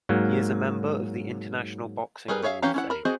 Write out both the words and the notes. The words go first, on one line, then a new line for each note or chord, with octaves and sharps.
He is a member of the International Boxing Hall Of Fame.
G#2 F#3 A#3
G3 G#4 A#4 B4
G#4 C#5 E5 F5
E3 C#4 G4 F5 A#5
C#4 E4 F#5
A#4 B5
C4 F#4 G#4 C5 D#5